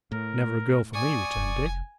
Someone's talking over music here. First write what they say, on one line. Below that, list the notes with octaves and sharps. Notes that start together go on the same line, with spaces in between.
"Never a girl for me," returned Dick.
A2 A#4
D5 G#5 C#6 D#6
F1